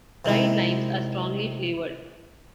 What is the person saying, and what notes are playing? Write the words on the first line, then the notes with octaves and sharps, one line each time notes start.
Dried limes are strongly flavored.
C3 D#3 G#3 E4